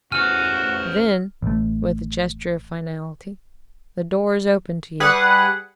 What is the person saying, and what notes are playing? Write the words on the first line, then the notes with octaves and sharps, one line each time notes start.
Then," with a gesture of finality, "the door is open to you.
A1 E2 F#4 C5 G#5 F6
A1 A3
G3 G#4 B4 F#5